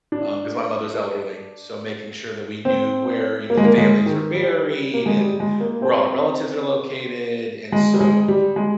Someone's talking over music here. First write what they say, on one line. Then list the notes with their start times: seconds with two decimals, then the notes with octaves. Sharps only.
um 'cause my mother's elderly, so making sure that we knew where, you know, the families are buried, and where all the relatives are located, and, so,
0.12 D4
2.65 C4
3.50 A#3
3.57 G#3
3.65 A#3
3.78 G#3
4.06 D#3
4.34 G3
4.94 A#3
5.06 G#3
5.19 G3
5.40 G#3
5.60 A#3
5.82 C4
7.72 G#3
7.93 G3
8.00 G#3
8.28 G3
8.56 G#3